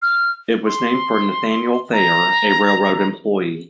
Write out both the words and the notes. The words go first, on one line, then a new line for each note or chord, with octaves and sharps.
It was named for Nathaniel Thayer, a railroad employee.
F6
C6
A#5